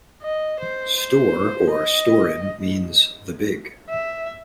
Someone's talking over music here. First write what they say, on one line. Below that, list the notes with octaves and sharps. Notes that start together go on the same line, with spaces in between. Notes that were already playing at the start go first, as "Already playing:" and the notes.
"Store" or "Storen" means "The Big".
D#5
C5
C5
D#5
E5